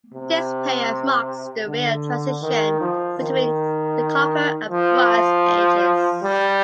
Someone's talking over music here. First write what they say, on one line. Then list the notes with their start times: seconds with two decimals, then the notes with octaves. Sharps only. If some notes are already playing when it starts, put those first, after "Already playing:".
This period marks the real transition between the copper and bronze ages.
0.14 C3
1.67 D3
2.42 D#3
2.81 F3
3.19 D#3
4.71 F3
6.23 G3